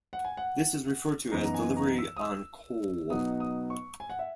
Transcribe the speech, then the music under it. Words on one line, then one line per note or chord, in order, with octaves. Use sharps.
This is referred to as "delivery en caul".
F#5
G#5
F#5
F#2 E3 B3 D#4 A#5
A#5
G#5
A#5
E6
D#6
E6
B2 F#3 B3 D#4 D#6
D#6
C#6
G#5
F#5
E5